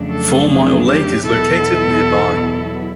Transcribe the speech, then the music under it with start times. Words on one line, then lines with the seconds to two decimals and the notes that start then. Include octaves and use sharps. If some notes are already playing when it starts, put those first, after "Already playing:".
Four Mile Lake is located nearby.
Already playing: F2 C#3 F#3 A3 D4
0.10 A4
0.50 G#4
0.88 G4
1.27 E2 B2 F#3 B3 E4 A4